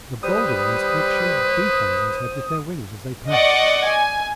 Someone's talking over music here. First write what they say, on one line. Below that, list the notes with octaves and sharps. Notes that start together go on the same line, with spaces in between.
The bolder ones actually beat on one's head with their wings as they pass.
G3 B4 C5 D#6
D5 D#5 F#5 C#6
G#5